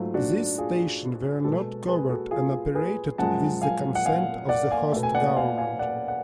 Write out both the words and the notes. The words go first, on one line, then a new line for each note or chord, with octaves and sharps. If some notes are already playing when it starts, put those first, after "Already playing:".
These stations were not covert and operated with the consent of the host government.
Already playing: G#2 F#3 A3 F4
D4 F#4
F4 G#4
B2 G#3 F#4 A4
G#4 B4
F#4 A4
F4 G#4
G#4 B4
F#2 F3 G#3 F#5 A5
F5 G#5
F#5
F5 G#5
D5 F#5
F5 G#5
B2 A3
G#5
D5 F#5
F5 G#5
F5 G#5
D5 F#5
F#5